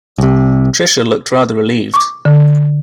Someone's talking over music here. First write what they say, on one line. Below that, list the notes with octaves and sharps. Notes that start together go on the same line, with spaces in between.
Tricia looked rather relieved.
C2 C3
C#6 D6
D3